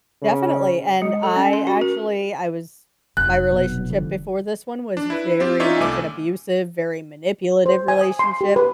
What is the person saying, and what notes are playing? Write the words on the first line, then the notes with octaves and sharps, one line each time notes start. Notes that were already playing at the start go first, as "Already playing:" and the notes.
definitely, and I, actually I was my relationship before this one was very much an abusive, very manipulative relationship,
C#3
G#3
A4
C#4
C6
F#4
A#4
F1 F#6
B2 F#3 B3
D3 F3 G3
D4
E4 B4
C4 F4 G4
C#4 D#4 F4 C#5 D5 E5
C2 A3 G#5 D6 E6
C5
G#5
D#6
C6
G4
B4